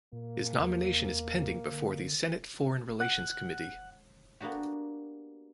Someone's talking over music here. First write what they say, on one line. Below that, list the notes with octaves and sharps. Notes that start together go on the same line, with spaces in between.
His nomination is pending before the Senate Foreign Relations Committee.
A#2 A#3
E2
D3
F#5
A#3 B3 D4 F#4 G4